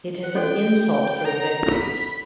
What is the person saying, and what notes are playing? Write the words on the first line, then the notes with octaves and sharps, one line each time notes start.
It is an insult for the victims.
F#5
C#4 F#4 A4 D5 G5
A4 C#5 F#5 A#5
B5